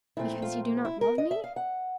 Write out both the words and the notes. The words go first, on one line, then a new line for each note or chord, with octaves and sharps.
"Because you do not love me?"
A#2 F3 A3 C4 E4
F4
E4
A#4
D#5
E5
F5
F#5